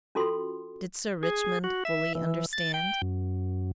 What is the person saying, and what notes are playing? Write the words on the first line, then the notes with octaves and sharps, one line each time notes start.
Did Sir Richmond fully understand?
C#4 F4 F#4 A4 C6
G#4
F#4
E5
E3
A6
G5
F#2